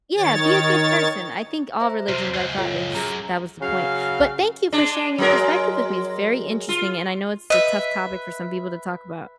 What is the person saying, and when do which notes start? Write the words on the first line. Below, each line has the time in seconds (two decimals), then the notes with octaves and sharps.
Yeah, be a good person. I think all religions, I thought jus that was the point. But thank you for sharing your perspective with me. It's very interesting and I know it's a tough topic for some people to talk about.
0.17 D#3 C#5 A6
1.80 C5 E5 A#5
2.09 F2 C3 F#4 C5 F6
2.34 C#2 F#2 C7
2.58 F4 A4 C#5
2.95 F#2 G#4 A#5
3.61 C#3 F#3 F5
4.72 G#3 D4
5.18 F#3 G#3 A#4
6.69 F4
7.50 B4 D#5 E5